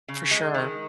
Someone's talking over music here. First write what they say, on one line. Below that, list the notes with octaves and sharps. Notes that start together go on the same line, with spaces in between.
For sure.
C#3
G#3
D#3